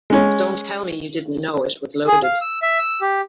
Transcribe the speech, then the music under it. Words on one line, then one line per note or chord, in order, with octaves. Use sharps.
Don't tell me you didn't know it was loaded.
G#3 C#4
G#4
F5
E6
E5
E6
G4